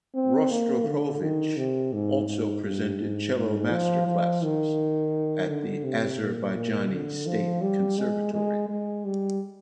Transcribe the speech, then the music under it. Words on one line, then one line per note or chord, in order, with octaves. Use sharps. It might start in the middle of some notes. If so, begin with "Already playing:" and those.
Rostropovich also presented cello master classes at the Azerbaijan State Conservatory.
C4
A#3
D3
D#3
C3
G#2
G#2
G2
G#2
G#2
F3
F3
D#3
D3
C3
A#2
A#2
D3
F3
G3
G#3
G#3
G#3
G3